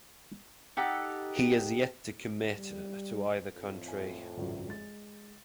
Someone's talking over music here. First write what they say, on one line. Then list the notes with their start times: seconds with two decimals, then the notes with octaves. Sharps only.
He is yet to commit to either country.
0.77 D#4 G4 A4 F#5
2.56 G3
3.55 F2 A2
3.88 G#5
4.37 G#1 C#2 F#2
4.68 G#3 A6